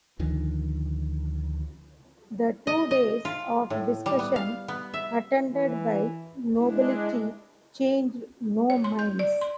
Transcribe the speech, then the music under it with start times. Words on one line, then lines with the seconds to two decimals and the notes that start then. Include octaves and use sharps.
The two days of discussion, attended by nobility, changed no minds.
0.19 D2 D3 D#3 F3
2.67 D#5
2.91 D#5
3.25 F4
3.70 A2
4.06 G3
4.19 B3
4.36 F5
4.68 B3
4.94 E5
5.54 E3
6.59 G#3 D4 E4
8.70 C#5
8.84 C6
8.99 G6
9.19 D5
9.41 C6